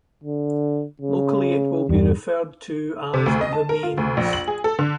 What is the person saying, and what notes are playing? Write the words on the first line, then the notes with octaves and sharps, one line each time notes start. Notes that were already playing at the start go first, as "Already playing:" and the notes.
Locally, it will be referred to as "the mains".
D3
C#3
E2 G2 G3
C3
D2
D#5
A5
A#4
F4
D2
A#1
F#7
G#4
A4
D3